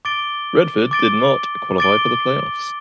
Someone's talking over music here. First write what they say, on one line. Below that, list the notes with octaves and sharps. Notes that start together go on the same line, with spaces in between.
Radford did not qualify for the playoffs.
D6 A6 D7 G7
D6 A6 D7 G7
D6 A6 D7 G7